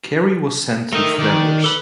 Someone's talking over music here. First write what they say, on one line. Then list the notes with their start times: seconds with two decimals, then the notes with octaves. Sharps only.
Cary was sent to Flanders.
0.93 A3 D#4 A#4 D#5
1.19 D#3 D5
1.64 A4 B4 B5